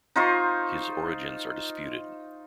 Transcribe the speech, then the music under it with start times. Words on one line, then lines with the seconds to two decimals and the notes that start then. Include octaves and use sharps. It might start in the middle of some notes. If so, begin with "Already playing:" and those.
His origins are disputed.
0.16 D#4 F4 C5 C#6